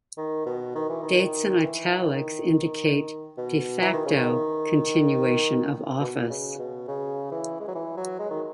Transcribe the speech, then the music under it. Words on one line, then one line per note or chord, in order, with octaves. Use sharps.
Dates in italics indicate "de facto "continuation of office.
D#3
B2
D#3
E3
D#3
D#3
E3
D#3
B2
E3
D#3
C#3
D#3
B2
C#3
B2
C#3
E3
G#3
F#3
E3
F#3
G#3
D#3